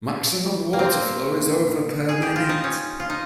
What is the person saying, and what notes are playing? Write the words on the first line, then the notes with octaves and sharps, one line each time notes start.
Maximum water flow is over per minute.
A#3
C4
G#4
G4
F4
D#4
C#4
F4
D#4